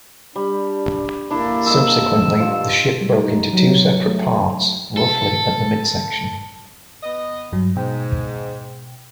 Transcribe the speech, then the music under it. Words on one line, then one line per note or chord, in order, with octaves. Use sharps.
Subsequently, the ship broke into two separate parts, roughly at the midsection.
G3 D4
A#3 D4 E4 A4
A4 D#5 A5 E6
G2 F4
G3
D#4
F#3
A3
A4
B3 D#5
G2 F#3
G#2 B2 G5